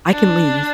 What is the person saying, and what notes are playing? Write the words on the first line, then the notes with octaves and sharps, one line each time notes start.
"I can leave."
D4